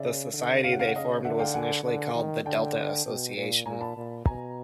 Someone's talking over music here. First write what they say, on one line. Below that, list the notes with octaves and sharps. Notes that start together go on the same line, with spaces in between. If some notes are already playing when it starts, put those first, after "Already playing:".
The society they formed was initially called "The Delta Association".
Already playing: C#3 D5 E5
D3
C#3 F5
F#5
F5
F#5
D#5 F5
D3 E5 F#5
F5 G5
F#5 G#5
D3
D#3
D3 G5 A5
B2
A#2
A#2 G#5 A#5
A5 B5
A#2
B2 G#5 A#5